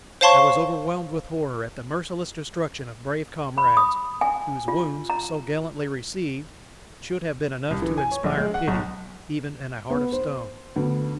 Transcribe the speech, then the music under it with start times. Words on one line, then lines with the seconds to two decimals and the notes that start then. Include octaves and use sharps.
I was overwhelmed with horror at the merciless destruction of brave comrades, whose wounds, so gallantly received, should have been enough to inspire pity even in a heart of stone.
0.21 C5 C#5 F5 A5 C6 C#6
3.58 B5
3.77 D#6
4.21 G#5
4.68 F4
5.10 A#5
7.71 C2
7.82 E3
7.98 G#5
8.11 C#5
8.24 A#1
8.37 G#3
8.54 F#5
8.68 B1
9.90 B3
10.12 C5
10.76 D2 B3